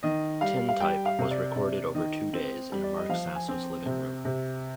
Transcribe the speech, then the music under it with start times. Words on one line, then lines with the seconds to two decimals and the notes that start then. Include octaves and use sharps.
Tin Type was recorded over two days in Mark Sasso's living room.
0.03 D#3 D#5
0.41 G3 F5
0.69 F5
0.80 G3 G5
1.06 F5
1.19 C3
1.31 D5
1.56 C3 D5
1.95 D#3 D#5
2.33 C4
2.72 G3
2.84 D5
2.96 D#5
3.09 F3 F5
3.35 G#5
3.48 C4
3.86 C3
4.25 C3